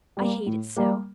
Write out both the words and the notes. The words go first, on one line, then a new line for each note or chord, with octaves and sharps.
I hate it so.
G3 A#3
A2
G3 A#3